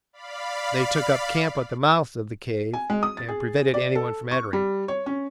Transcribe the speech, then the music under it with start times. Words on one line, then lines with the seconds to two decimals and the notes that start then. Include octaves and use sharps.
They took up camp at the mouth of the cave and prevented everyone from entering.
0.13 D5 F5 B5
2.74 G#5
2.90 G#3
3.03 D#6
3.17 A6
3.29 G#4
3.74 D5
3.95 A4
4.31 C#6
4.53 G3
4.88 C#5
5.06 C#4